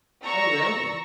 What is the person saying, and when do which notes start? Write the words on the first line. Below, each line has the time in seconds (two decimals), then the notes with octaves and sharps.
Oh, really?
0.24 D5 A#5 C#6 E6 A#6